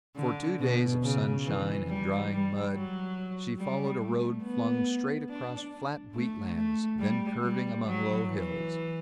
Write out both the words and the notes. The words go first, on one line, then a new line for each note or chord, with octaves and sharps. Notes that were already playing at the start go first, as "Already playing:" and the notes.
For two days of sunshine and drying mud she followed a road flung straight across flat wheatlands, then curving among low hills.
D3
B2
C#3
E3
G3
G3
F#3
G3
A3
B3
D4
A3
A3
G3
G3
F#3
E3